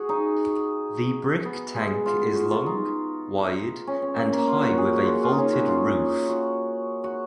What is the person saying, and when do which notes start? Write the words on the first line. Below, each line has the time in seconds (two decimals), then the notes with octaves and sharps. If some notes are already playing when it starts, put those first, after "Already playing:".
The brick tank is long, wide and high with a vaulted roof.
Already playing: F#4 G#4
0.09 D#4
1.45 B3
1.76 G#3
2.06 F4
2.20 F4
2.35 F#4
2.51 F4
2.66 D#4
3.87 C#4
4.02 C#4
4.16 A#3
4.32 A#3
4.47 F4
4.63 F#4
4.78 G#4
4.93 F#4
5.03 F4
5.08 F#4
5.23 F4
5.32 D#4
5.38 C#4
5.52 F#4
5.68 F4
6.29 F#4
7.04 F#4